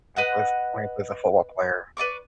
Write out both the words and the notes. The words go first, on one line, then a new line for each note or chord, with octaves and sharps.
When he plays when he plays a football player.
B4 D#5 F#5
B4 D5 C#6 D6